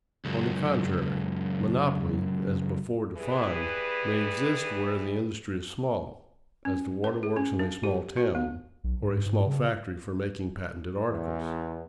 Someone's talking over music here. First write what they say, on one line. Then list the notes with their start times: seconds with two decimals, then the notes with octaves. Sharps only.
On the contrary, monopoly, as before defined, may exist where the industry is small, as the waterworks in a small town, or a small factory for making patented articles.
0.25 C#2 F#2
3.16 E3 G3 G#4 B4
6.65 C#4
7.04 B4
7.23 G#4
7.37 C#4
7.59 D4
7.84 G4
8.17 F#4
8.35 B3
8.84 B1
9.02 G#2
9.26 G#2
9.46 C#3
11.09 E2